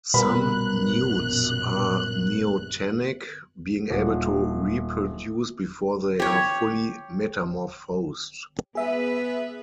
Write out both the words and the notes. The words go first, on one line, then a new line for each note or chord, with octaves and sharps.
Some newts are neotenic, being able to reproduce before they are fully metamorphosed.
A#1 F#2 B2 G3 B3 A#4 B5 F#6
D#1
G4 C#5
B3 G#4 B4 E5